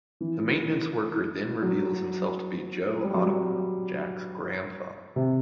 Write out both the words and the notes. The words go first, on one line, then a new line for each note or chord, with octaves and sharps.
The maintenance worker then reveals himself to be Joe Ottoman, Jack's grandfather.
E3
F#3
G3
F#3
G3
C3